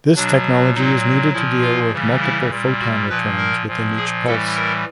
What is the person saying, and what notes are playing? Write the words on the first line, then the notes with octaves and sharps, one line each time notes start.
This technology is needed to deal with multiple photon returns within each pulse.
B2 F#3 D4
A#2 F#3 D#4
A#2 F3 E4
F4
C#3 E3 G3
E4
A#2 G3
F#4
A#2 F3 B4
A#4
A#2 F3
G#4
A2 E3 G3 A4
A#4